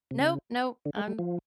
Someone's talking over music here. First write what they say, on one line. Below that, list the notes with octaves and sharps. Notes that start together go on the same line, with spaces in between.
Nope, nope. I'm
C3
C#3
D3
G#3
G3
F3